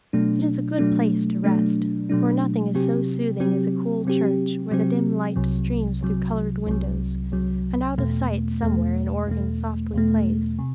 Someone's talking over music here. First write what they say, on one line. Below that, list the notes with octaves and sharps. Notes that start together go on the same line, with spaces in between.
It is a good place to rest: for nothing is so soothing as a cool church where the dim light streams through colored windows, and out of sight somewhere an organ softly plays.
B2 F#3 A3 D4
B2 F#3 A3 D4
B2 F#3 A3 D4
B2 F#3 A3 D4
C3 F#3 C4 G4
C3 F#3 C4 G4
C3 F#3 C4 G4
C3 F#3 C4 G4
C2 C3 F#3
C2 C3 F#3
C2 C3 F#3
C2 C3 F#3
E2 B2 A3
E2 B2 A3
E2 B2 A3
E2 B2 A3
C3